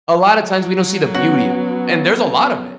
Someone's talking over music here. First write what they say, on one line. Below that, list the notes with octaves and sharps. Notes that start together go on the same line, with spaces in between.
a lotta times, we don't see the beauty in them, and there's a lot of it.
F#3
B3 C#4 F#4